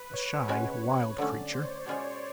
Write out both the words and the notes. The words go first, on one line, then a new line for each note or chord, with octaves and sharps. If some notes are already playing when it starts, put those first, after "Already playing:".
A shy, wild creature.
Already playing: B4
C#5
B2 G#3 C#4 F#4
D3 F#3 A3 C#4 D5
C5
C#5
C5
B2 G#3 C#4 F4 G#4 C#5